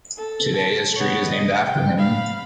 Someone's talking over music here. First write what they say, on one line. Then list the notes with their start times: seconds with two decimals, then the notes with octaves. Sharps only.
Today, a street is named after him.
0.18 A4
0.56 A5
0.96 B3 C#5
1.28 D#5
1.61 G5
1.98 F5 B5